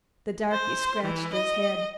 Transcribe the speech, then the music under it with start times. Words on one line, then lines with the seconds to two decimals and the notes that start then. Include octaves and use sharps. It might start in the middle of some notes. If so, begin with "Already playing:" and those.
The darky scratched his head.
0.51 C5
1.02 E3
1.33 D#5